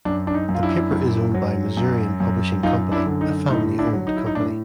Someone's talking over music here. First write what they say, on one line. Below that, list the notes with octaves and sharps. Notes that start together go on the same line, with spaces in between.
The paper is owned by Missourian Publishing Company, a family-owned company.
F#2 D4
D4
D#4
F#2
F4
D4 E4
F#2
F#3
F#2
F#2
F#2 D#4 F4
D4 E4
D3
D#4
A2 D#4
D4 E4
F#3
D#4
E4
D#4
A2 D4